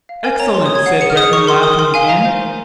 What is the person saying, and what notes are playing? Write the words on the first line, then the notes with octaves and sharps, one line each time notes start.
"Excellent!" said Breton, laughing again.
F5
A#4 G#5
C#5 A#5
A#4 C6
D#6
C#5
G#6
F#5 C7
G#4 C#7
F6
G#4 D#6
G#4 C#6
A#4 C6
A#4 D#6
A#4 C6
F5 G#5
F5 A#5
C5
C5